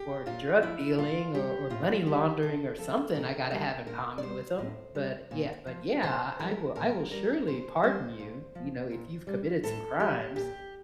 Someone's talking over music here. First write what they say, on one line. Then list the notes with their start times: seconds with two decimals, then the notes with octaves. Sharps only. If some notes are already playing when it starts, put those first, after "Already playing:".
or drug dealing or or money laundering or something I gotta have in common with 'em." But yeah but yeah, "I I will I will surely pardon you, you know, if you've committed some crimes."
Already playing: G4
0.26 A#2 F4
0.62 F3 E4
0.98 A#2 F4
1.34 G3 G4
1.70 A2 F4
2.06 G3 G4
2.42 C3 A4
2.78 F3 A4
3.14 A#2 A#4
3.51 G3 A#4
3.87 A#2 A#4
4.18 D5
4.23 G3 C5
4.58 A2
4.95 G3
5.31 A#2
5.67 F3
6.03 C3 C5
6.39 E3 G3 A#4
6.76 A#2 A#4
7.11 G3 A#4
7.47 A#2 C5
7.83 G3 C5
8.20 A#2
8.55 F3
8.91 A#2
9.27 G3
9.64 A2 A4
10.00 F3 G4
10.36 A#2 G4